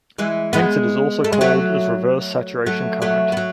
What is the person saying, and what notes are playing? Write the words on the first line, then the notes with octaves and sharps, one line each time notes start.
Hence it is also called as reverse saturation current.
E3 G#3
G#3 B3
A3
G#3
F#3 A3
F#3 A3
F#3 A3
B3
F#3